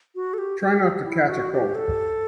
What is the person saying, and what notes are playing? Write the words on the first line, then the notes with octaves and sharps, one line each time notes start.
Try not to catch a cold.
F#4
A4
G4
G4
G4
E4
F#4
G4
A4